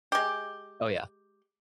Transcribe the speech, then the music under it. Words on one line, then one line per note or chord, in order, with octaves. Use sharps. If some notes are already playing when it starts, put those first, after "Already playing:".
Oh, yeah.
G#3 G4